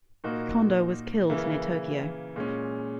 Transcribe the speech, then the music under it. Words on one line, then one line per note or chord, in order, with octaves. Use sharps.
Kondo was killed near Tokyo.
A#2 A#3 D#4 F#4
C#3 E3 A#3 E4
A#2 G#3 C#4